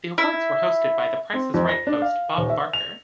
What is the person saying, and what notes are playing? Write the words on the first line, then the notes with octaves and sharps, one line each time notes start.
The awards were hosted by "The Price Is Right" host Bob Barker.
E4
C4
F2
A#6
D4
F5
D#1
E5
F7